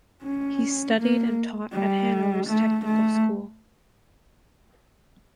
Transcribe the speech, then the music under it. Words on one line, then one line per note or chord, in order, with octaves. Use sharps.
He studied and taught at Hanover's technical school.
C#4
A#3
G3
A3
A3